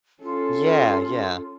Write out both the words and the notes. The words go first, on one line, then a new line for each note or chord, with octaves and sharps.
Yeah, yeah.
C#4 F4 A4